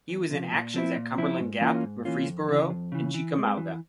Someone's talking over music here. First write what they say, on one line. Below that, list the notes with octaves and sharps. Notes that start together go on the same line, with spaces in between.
He was in actions at Cumberland Gap, Murfreesboro, and Chickamauga.
E2
C3 F3
A#2
F3 C4 E4
A#2
F3 C4 E4
G#2
E3 A#3 C#4 F4
G#2
E3 A#3 C#4 F4
F2
C#3 E3
F2
C#3 E3
E3
G#3 C4
E3